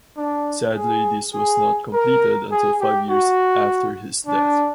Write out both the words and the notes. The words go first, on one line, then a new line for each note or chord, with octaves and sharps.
Sadly this was not completed until five years after his death.
D4
G#4
G#4
A#4
G#4
G4
F#4
D4